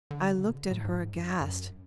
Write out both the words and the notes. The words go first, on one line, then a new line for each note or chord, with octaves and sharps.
I looked at her aghast.
D3
C#3
B2
C#3
A2
G#2
F#2
F#2